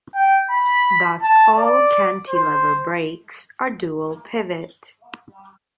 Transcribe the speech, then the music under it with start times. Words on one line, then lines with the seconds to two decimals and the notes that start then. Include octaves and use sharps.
Thus all cantilever brakes are dual-pivot.
0.15 G5
0.51 B5
1.22 A5
1.58 D5
2.29 C5